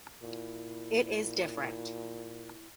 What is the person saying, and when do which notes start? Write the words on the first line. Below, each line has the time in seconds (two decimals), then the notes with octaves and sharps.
It is different.
0.23 A#2 E4